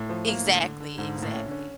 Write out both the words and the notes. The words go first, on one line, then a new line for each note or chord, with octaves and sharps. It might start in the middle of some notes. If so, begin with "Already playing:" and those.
M exactly, exactly.
Already playing: A2
F3
A#3
D3
D3
D3
G#2 D3
G#2 A#3
A2
C#4
D3
C#4